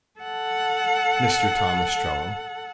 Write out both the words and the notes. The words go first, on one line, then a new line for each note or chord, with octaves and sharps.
"Mr. Tom Ostrello."
A4 F#5